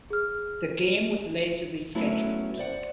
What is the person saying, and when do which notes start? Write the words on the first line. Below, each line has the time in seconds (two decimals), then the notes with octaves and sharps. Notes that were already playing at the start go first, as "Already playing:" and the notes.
The game was later rescheduled.
0.10 G#4 F6
1.95 F#3 A3 B3 C#4 E4 F#4
2.57 C5 D5 F#5